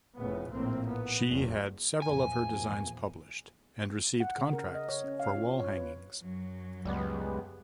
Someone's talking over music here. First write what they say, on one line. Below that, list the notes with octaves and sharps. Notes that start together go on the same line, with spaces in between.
She had several of her designs published and received contracts for wall hangings.
F1 A2 C#3 B3
A#1 A2 A#3 C4
B3
F#1 E2
E2 A#2 F3 G#5
F#5
C#3
A#4
D#5
C#5
C#4
F5
F4
C#5
B4
F#2 F#3
C#2 G3 G#3 B3